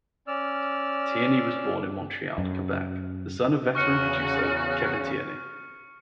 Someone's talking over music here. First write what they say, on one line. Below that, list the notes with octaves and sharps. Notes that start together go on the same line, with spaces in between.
Tierney was born in Montreal, Quebec, the son of veteran producer Kevin Tierney.
C#4 D5 E6 F6
F#2
E2 C#3 C#4 F#4 C#6 F6 C#7